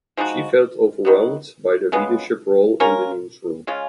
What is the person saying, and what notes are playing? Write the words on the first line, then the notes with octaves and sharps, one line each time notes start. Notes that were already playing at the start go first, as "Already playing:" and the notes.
She felt overwhelmed by the leadership role in the newsroom.
F3 G#3 D#4 F#4
D#3 F#3 B3
C#3 G#3 B3
A#3 C#4 F4 A#4
C#3 G#3 C#4 F4